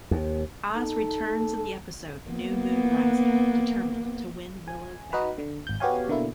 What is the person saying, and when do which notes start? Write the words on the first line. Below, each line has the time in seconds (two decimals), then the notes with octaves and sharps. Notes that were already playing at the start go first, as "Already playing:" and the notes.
Oz returns in the episode "New Moon Rising", determined to win Willow back.
0.11 D#2
0.73 D#4 A4
2.29 A#3 B3
4.68 G#5
5.13 D#4 F#4 B4
5.38 D3
5.67 G#1 G6
5.80 B3 F#4 G4 C#5 F5 G#5
6.08 B2 D3 A#3 E4